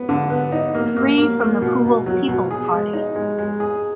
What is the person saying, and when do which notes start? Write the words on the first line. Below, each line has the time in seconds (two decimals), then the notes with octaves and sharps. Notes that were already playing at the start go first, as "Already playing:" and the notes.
Three from the Poole People Party.
Already playing: B3
0.09 D3
0.30 B3
0.52 D#4
0.75 A#3
0.96 A#3
1.18 A#3
1.40 A#3
1.62 B2
1.85 B2
2.06 F#3
2.28 B2
2.51 G#4
2.71 G#3
2.93 D#4
3.16 G#3
3.39 G#3
3.60 G#4